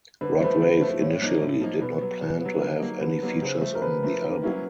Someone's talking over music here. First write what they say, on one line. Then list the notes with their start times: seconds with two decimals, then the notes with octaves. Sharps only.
Rod Wave initially did not plan to have any features on the album.
0.21 D3 B4
0.32 C5
0.40 F3 A3 B4
0.55 C5
0.60 D3
0.66 B4
0.77 F3 A3 C5
0.89 B4
1.01 A2 C#5
1.21 F3 A#3 D#4
1.42 A2
1.61 F3 A#3 D#4
1.81 B2 B4
2.01 F#3 B3
2.21 B2
2.41 F#3 B3
2.54 B4
2.62 D3 A#4
2.81 F#3 A#3 D#4
3.01 D3 B4
3.22 F#3 A#3 D#4
3.42 C#3 C5
3.61 A3
3.66 F3
3.75 A#4
3.82 C#3 B4
4.03 F3 A3
4.22 D#3
4.42 F#3 A#3 C#4 E4